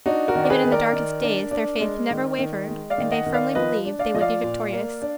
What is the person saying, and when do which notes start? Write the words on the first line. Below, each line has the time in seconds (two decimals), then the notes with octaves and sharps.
Even in the darkest days their faith never wavered and they firmly believed they would be victorious.
0.06 D4 D#4 F#4
0.28 F#4 A#4
0.35 D#3
0.44 D5
0.50 G#4 B4
0.64 D#3
0.72 A#4 D5
0.93 D#3
1.23 D4
1.51 D4
1.80 G#3
2.11 D#3
2.39 D#3
2.68 G#3
2.90 D5 F5
2.98 D#3
3.11 D#5 F#5
3.26 D#3
3.34 D5 F5
3.55 F3 B4 D#5
3.85 D4
3.99 D5 F5
4.14 F3 D#5
4.21 D5 F5
4.43 A#2
4.73 A#3
5.02 D4